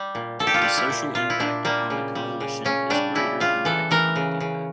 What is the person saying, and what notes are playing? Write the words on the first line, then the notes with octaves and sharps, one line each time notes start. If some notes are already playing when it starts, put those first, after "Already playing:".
The social impact upon the Coalition is greater than the economic impact.
Already playing: G3
A#2
A#2 A4
G4
F4
G3 G4
E4
A#2
A#2 F4
E4
A#2 D4
G3 A#3
C#3
G3
C#3
C#3 C#4
G3 D4
C#3 E4
G3 F4
E3 A4
E3 A#4
C#3
C#3